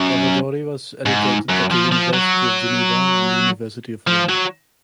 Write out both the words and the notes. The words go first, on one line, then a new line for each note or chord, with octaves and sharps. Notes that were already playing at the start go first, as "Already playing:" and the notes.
Salvadori was educated at the University of Geneva and the University of Rome.
Already playing: F#2
G#2
F#2
F3
F3
F#3
F3
F#3